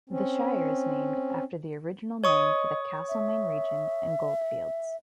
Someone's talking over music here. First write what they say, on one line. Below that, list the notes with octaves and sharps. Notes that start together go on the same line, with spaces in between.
The Shire is named after the original name for the Castlemaine region and goldfields.
C4 C#4
C#5 D#5 C#6 D#6
E5